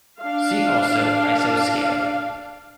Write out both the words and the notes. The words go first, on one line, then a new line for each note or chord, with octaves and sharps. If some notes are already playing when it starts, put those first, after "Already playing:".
See also Isoscalar.
D4 F5